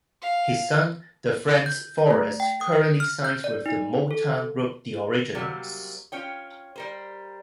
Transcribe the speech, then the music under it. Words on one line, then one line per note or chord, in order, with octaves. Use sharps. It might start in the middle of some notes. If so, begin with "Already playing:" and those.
His son, Defrantz Forrest, currently sings with the Motown group The Originals.
F5
G6
A3
G5
D#6
F6
G6
D5
D#4
A4
C3 F#3 G3 A#3 C4
C#4 F4 C#5 G5
G3 A#4 C5